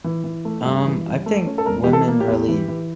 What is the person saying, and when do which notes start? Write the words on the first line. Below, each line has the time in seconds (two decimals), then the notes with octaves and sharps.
Um, I think women really
0.04 E3
0.24 E3
0.45 A3
0.65 G2
0.85 E3
1.06 G2
1.26 A3
1.46 C#4
1.58 A4
1.66 E1 A#4
1.84 E3 G4
1.93 A4
2.08 A#3
2.20 G4
2.28 E2
2.48 E3
2.68 E3